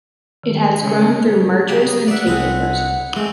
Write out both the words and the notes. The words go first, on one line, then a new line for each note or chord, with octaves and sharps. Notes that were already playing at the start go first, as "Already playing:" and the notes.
It has grown through mergers and takeovers.
D#3
C#3
C#3 G4
A#5 D#6
D5 E5 F#5
C2 C4 G#4 B4
G#3 A3 C4